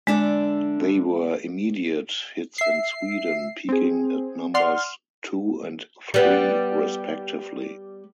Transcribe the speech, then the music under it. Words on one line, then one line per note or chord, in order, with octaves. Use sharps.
They were immediate hits in Sweden, peaking at numbers two and three respectively.
D3 G#3 D4 E5
E5 C7
C4 G#4
D5 F#5 C6 F6
G3 B3